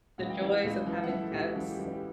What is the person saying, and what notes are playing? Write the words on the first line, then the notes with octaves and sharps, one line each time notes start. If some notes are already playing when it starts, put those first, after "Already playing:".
the joys of having pets.
C#2 F#5
G5
E3 F#5
C#2
E3
F#5
E3 E5
A4
C#2 G4
F#4
E3
G4
E3
G4